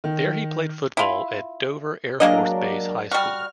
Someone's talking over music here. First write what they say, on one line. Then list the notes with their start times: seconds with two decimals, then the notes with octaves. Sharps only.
There he played football at Dover Air Force Base High School.
0.04 D#3
0.97 E4 F4
2.20 F#3 G#3 A#3 D4 A#4 D#5
3.11 G3 F#4 F6